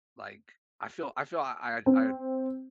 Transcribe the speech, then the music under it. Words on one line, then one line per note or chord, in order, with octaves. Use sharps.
Like, I feel I feel I I
C4